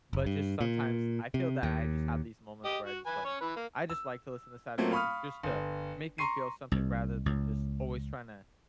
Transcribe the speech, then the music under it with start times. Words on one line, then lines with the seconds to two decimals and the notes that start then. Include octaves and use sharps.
But just sometimes, I feel that I just have these moments where I just, like I just like to listen to sad music just to make me feel something rather than just always tryna
0.13 F#1
0.26 G2
0.61 A#2
1.34 C3
1.63 D#2
2.65 G4 D#5
2.86 F#4
3.06 B4 G#5
3.25 C#4 C#5
3.41 E3 B4
3.56 A#3
3.90 E6
4.78 F#3 A3 A#3 C4 F4
4.92 F5 B5 C#6 D#6 F6
5.43 G1
6.18 A#5 C6 C#6 C7 D#7
6.72 C2
7.26 C#2